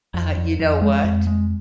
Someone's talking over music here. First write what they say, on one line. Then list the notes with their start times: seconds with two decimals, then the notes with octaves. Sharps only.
Uh-huh you know what?
0.14 F2
0.37 F2
0.59 F2
0.82 G#3
1.04 F2
1.27 G#3